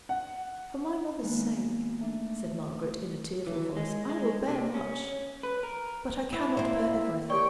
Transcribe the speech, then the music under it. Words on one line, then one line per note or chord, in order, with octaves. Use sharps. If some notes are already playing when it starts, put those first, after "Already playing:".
'For my mother's sake,' said Margaret, in a tearful voice, 'I will bear much; but I cannot bear everything.
F#5
D#3 G#3 A#3 B3
A3 D4
E3
G#3
G#3
C3
C#4
B4
A#4
B3 E4
A#3 C4
G4 A#4 C#5 D5 G5